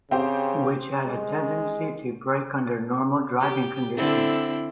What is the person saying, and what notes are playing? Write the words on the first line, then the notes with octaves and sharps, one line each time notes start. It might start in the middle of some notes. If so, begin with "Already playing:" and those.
Which had a tendency to break under normal driving conditions.
C#3 C4 G4 C5
G#3
G4
D3 C4 E4